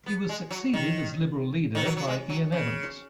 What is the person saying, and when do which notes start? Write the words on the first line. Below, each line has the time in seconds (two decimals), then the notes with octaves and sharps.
He was succeeded as Liberal leader by Iain Evans.
0.06 B3
0.29 G#3
0.51 F#3
0.73 D#3
1.75 D#3
1.86 F#3
1.97 F#3
2.07 G#3
2.29 F#3
2.52 C#3